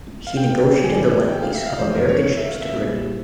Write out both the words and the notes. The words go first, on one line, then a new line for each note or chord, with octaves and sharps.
He negotiated the lend-lease of American ships to Britain.
F5
G5
G#2 E3 G3 C4 G4 G#5
G5
F5
E5
F5
F2 E3 G#3 C4 G4 C5
A#4
C#5
C#5
E5
F5
E5
A#2 G3 C4 E4 G#4